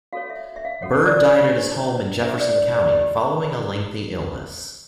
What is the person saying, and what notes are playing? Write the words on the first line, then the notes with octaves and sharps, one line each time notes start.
Byrd died at his home in Jefferson County following a lengthy illness.
F#4 A4 C#5 F5
E5
E5
F5
F#4 A4 C#5 F#5
D5
D5
C#5
D4 G4 C5 C#5
C#5
D4 G4 C5 E5
D5
C#5
D5
D#4 G4 B4 D#5